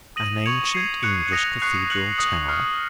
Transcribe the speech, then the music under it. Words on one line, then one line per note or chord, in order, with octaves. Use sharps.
An ancient English Cathedral Tower?
D#6 A#6 D#7 F#7
C#6 G#6 C#7 F7
G#6 C7 D#7
C#6 F#6 C#7
D#6 A#6 F7
C#6 F#6 C7 F7
F#6 C#7 F#7
D#6 F#6 A#6
C#6 F6 C7